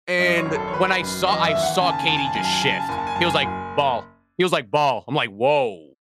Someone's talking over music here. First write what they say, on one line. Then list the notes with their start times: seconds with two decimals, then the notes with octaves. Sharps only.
And when I saw I saw KD just shift. He was like, "Ball." He was like, "Ball." I'm like, "Woah."
0.19 F#2 D#5
0.37 C#5
0.46 G#1
0.56 A4
0.68 C#5
0.72 G#1 B4
1.01 F#2
1.27 E3 D#5
1.45 E5
1.54 D#2
1.63 F#5
1.81 C#3 G#5
1.90 A5
1.99 G#5
2.07 D#2 A5
2.17 G#5
2.25 A5
2.35 F#2 G#5
2.44 A5
2.53 G#5
2.61 C#3 A5
2.71 G#5
2.80 A5
2.89 F#1 G#5
2.98 A5
3.07 G#5
3.16 F#2 A5
3.25 G#5
3.43 F#1